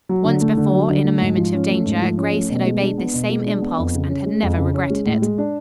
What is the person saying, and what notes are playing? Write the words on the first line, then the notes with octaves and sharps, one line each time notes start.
Once before, in a moment of danger, Grace had obeyed this same impulse and had never regretted it.
F#3
D3
A3
D3
F#3
D3
A3
G#2
F3
C#4
A3
G#2
F3
C#4
A3
B2
G#3
D4
B3
B2
G#3
D4
B3
F2
C#3
C#4
G#3
F2
C#3
C#4
G#3
A2
G#3
D4